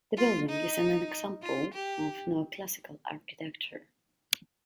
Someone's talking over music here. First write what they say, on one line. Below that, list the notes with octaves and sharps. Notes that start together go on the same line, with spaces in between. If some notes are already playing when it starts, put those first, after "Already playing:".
The building is an example of Neoclassical architecture.
F4
D#4
F4
G4